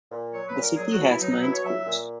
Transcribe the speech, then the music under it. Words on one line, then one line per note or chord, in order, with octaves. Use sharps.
The city has nine schools.
A#2
F#3 C#5
B4
A#2
A#4
F#3 G#4
F#4
B2
E4
F#3 D#4
D#4
B2 E4
C#5
F#3 E5
A#2